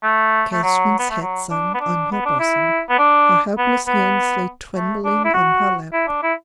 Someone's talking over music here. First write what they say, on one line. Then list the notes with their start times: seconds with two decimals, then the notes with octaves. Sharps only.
Catherine's head sank on her bosom; her helpless hands lay trembling on her lap.
0.03 A3
0.52 A3
0.63 F#3
0.99 B3
1.10 A3
1.22 F#3
1.51 D4
1.74 B3
1.80 D4
2.12 B3
2.26 D4
2.39 E4
2.90 B3
2.99 D4
3.58 B3
3.87 B3
4.76 A3
5.05 D4
5.25 E4
5.34 F#4
5.93 E4
6.08 D4
6.23 E4